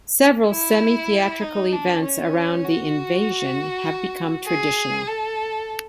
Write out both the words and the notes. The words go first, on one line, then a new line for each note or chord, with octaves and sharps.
Several semi-theatrical events around the "invasion" have become traditional.
E4
D#4
D4
C#4
F#4
G#4
A4